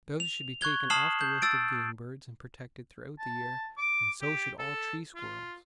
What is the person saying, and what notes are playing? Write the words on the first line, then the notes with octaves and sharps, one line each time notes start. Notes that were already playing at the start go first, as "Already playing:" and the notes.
Doves should be taken off the list of game birds, and protected throughout the year; and so should all tree squirrels.
F7
C#6 F#6 G#6 G7
A5 D#6 F6 C7 E7 F#7
G6
E6 A6 D7
A5
D6
G4
A4
F4